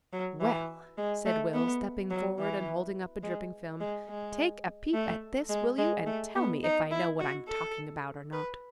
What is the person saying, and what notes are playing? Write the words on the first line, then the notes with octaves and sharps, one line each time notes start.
"Well," said Will, stepping forward and holding up a dripping film, "take a peep at this, will you, and tell me if I know what I'm talking about or not!"
F#3
E3
G#3
A3
B3
F#3
E3
G#3
G#3
G#3
A3
G#3
G#3
A3
B3
D#4
E4
F#4
A4
B4